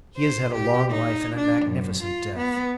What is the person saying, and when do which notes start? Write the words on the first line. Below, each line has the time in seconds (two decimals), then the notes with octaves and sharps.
He has had a long life and a magnificent death!
0.17 C5
0.55 G4
0.90 D#4
1.36 D4
1.65 F#2
2.02 F4
2.37 B3